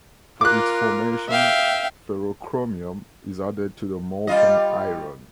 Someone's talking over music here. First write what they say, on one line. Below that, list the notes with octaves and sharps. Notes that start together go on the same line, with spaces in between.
For its formation, ferrochromium is added to the molten iron.
F4 A#4 D6 F#6
E5 F5 G5
G3 F4 D#5